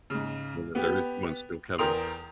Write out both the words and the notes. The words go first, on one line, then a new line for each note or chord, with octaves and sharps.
Though there is one still coming.
G#2 C#3
B3 G4
E2 A#4 G5 C6 D#6 F7